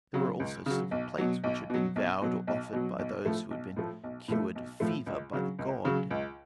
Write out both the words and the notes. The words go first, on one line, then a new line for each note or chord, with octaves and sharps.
There were also silver plates which had been vowed or offered by those who had been cured of fever by the god.
C#3 F#3
C#2
C#3 F#3
B1
B2 F#3
B1
B2 F#3
B1
B2 F#3
B1
B2 F#3
B1
A2 F3 A3
B1
A2 F3 A3
B1
A2 F3 A3
B1
A2 F3 A3
C#2
C#3 F#3
C#2
C#3 F#3
C#2